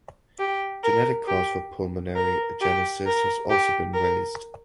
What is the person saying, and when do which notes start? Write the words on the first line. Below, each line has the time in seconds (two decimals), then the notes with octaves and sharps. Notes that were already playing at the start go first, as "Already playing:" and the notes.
Genetic cause for pulmonary agenesis has also been raised.
0.39 G4
0.83 A#4
1.27 G4
2.16 A#4
2.61 G4
3.06 A#4
3.50 G4
3.94 A#4